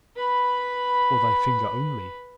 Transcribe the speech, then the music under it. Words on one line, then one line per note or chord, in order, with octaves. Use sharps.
Or thy finger only!
B4 B5